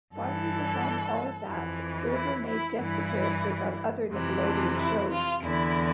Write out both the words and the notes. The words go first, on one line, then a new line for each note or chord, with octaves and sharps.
While he was on "All That", Server made guest appearances on other Nickelodeon shows.
G2 E3 A4
F2 E3
E4
E4
G2 E3 E4
F2 C3 E3
D4
E4
F4
E2 D3 E4